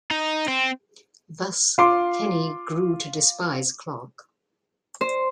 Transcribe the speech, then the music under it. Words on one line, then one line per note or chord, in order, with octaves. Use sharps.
Thus, Kenny grew to despise Clark.
D#4
C4
F4 C6 D6
C5